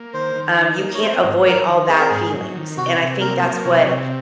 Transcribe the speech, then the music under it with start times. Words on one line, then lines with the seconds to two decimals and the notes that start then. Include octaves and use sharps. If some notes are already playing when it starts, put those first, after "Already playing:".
Um, you can't avoid all bad feelings, and I think that's what
Already playing: A#3
0.14 D#3 C5
0.35 D#3
0.58 D#4
0.80 A#3
0.95 C#5
1.02 C4 C5
1.23 G#2
1.46 F#3 A#4
1.67 D#3
1.89 C4 G#4
1.99 A#4
2.09 G#2 G#4
2.33 F#3
2.55 D#3
2.77 C3 F#4
2.99 C3
3.20 A#3 A#4
3.43 F#3
3.64 C3 C#5
3.87 C3 C#5